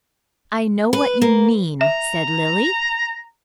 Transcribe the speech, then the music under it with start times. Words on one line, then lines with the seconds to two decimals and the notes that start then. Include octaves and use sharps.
"I know what you mean," said Lily.
0.93 B4
1.22 A#3
1.81 E5 A#5